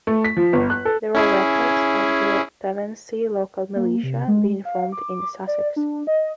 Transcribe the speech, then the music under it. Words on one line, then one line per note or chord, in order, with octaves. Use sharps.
There are records of the Pevensey Local Militia being formed in Sussex.
A3
B6
F3
G1
F#6
A4
C#4 E4 G#4
A#3
C3
G#3
F5
D6
D5
D4
D#5